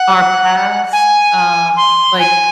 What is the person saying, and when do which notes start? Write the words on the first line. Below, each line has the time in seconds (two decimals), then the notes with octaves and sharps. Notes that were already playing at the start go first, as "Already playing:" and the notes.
our past, um like,
Already playing: F#5
0.93 G#5
1.76 C6
2.19 G#5